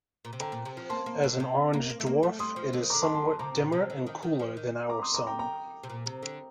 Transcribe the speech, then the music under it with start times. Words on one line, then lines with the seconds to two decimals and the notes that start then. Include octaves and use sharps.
As an orange dwarf it is somewhat dimmer and cooler than our Sun.
0.25 A#2
0.33 C3
0.40 D3 G5 A#5
0.52 A#2
0.65 C3
0.77 F3
0.89 A#3 A5 C6
1.06 A#3
1.23 D3
1.40 C3
1.73 A#3
1.90 A#3
2.00 A3
2.06 A#3
2.23 A3
2.39 G3 C6 D#6
2.56 F3
2.73 D3
2.84 D#3
2.90 A#5 D6
2.94 D3
3.02 A5 C6
3.14 A5 C6
3.39 C3 A#5 D6
3.56 A#2
3.72 C3
3.90 D3
4.07 D#3
4.22 D#3
4.39 F3
4.57 D#3
4.89 A#5 D6
5.02 C6 D#6
5.14 A#5 D6
5.27 G5 A#5
5.39 G5 A#5
5.83 C3
5.90 A#2
6.06 C3
6.23 D3